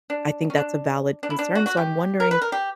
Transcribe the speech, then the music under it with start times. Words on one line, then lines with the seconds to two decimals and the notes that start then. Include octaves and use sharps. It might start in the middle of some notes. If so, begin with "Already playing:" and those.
I think that's a valid concern, so I'm wondering,
0.10 D4
0.50 C#4
0.58 D4
1.23 D4
1.30 E4
1.39 D4
1.55 F#4
1.66 F#4
1.77 G4
2.20 A#4
2.31 B4
2.41 A#4
2.52 G4